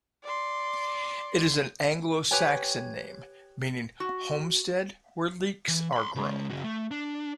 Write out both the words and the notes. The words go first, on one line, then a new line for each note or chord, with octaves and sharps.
It is an Anglo-Saxon name, meaning 'homestead where leeks are grown'.
D5 C6
G4 B4 C#5 G5 G#5
F#4
E3
B5 C6
C#3 G#3
C#3 F#4
A3
D4